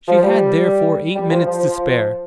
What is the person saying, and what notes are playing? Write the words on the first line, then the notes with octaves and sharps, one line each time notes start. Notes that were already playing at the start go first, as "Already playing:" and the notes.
She had, therefore, eight minutes to spare.
F3
G3
G3
F3
F3